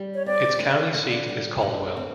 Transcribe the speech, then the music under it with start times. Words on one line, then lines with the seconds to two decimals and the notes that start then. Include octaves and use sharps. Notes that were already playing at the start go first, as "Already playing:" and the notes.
Its county seat is Caldwell.
Already playing: G3
0.15 C#5
0.26 C4 D5
0.60 D3
0.95 D3
1.29 G3
1.63 D3
1.97 C4